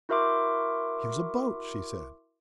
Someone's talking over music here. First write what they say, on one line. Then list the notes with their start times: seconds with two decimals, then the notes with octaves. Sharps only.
"Here's a boat!" she said.
0.09 E4 F#4 A#4 E5 C6 D6